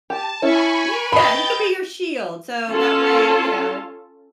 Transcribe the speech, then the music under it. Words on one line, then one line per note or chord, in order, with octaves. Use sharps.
Yeah, he could be your shield, so that way, you know?
G4 A5
C#4 E4 G#5 B5 C#6
B4 D#5 G5 B5 G6 A6
C#4 F4 A4 A5